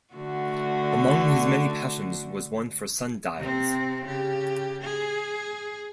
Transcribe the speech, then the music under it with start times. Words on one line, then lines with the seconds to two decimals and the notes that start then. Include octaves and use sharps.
Among his many passions was one for sundials.
0.14 D3 A3 F#4
3.38 C3 C4
4.05 C#3 G4
4.83 G#4